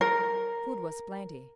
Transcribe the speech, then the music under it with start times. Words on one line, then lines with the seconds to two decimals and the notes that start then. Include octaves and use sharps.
Food was plenty.
0.01 A#4